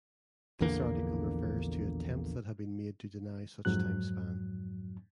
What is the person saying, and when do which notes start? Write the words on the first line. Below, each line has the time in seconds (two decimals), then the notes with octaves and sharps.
This article refers to attempts that have been made to deny such timespan.
0.60 A#1 E2 D3 A#3
3.65 F2 G#2 F#3 F#6